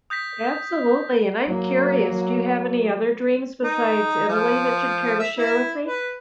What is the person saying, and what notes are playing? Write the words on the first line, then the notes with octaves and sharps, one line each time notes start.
Absolutely, and I'm curious, do you have any other dreams besides Italy that you'd care to share with me?
D#6 G6 A#6 B6
F#3 A#3
D#4
F3
E5
E4
B4